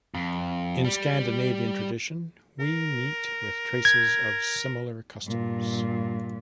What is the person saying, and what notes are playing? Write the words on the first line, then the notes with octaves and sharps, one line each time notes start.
In Scandinavian tradition we meet with traces of similar customs.
F2
G3
A#4
G#6
G2 A#2